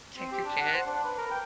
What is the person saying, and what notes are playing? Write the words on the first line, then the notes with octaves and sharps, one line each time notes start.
Take your kid.
C4
G4
D4
F#5
C5
D4
B4
A#4
G5